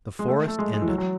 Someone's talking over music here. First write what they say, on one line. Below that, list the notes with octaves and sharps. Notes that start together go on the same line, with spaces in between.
The forest ended.
G#3
A3
A3
G#3
G#3
E3
F#3
F#3